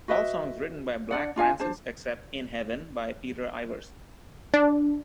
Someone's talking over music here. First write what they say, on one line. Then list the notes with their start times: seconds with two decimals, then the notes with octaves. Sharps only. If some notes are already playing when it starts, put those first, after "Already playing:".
All songs written by Black Francis, except "In Heaven" by Peter Ivers.
0.08 F#4 B4 D#5 E5
1.11 D4 D5 F#5
1.36 D4 F4 F5 G#5
1.60 D4 C5 A5
4.54 D4